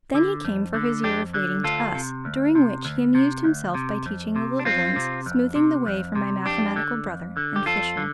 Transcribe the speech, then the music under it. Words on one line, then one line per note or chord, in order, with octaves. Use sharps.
Then he came for his year of waiting to us, during which he amused himself by teaching the little ones, smoothing the way for my mathematical brother, and fishing.
D3
F2
D3
F2 D4 G4
D3
D2 F4 A4
C3
D2
C3
D2
C3
D2
C3
F2
C3
D4
F2 C4 F4
C3
F2
C3
F2
C3
F2 D4 G4
D3
F2
D3
G4
F2 F4 A4
D3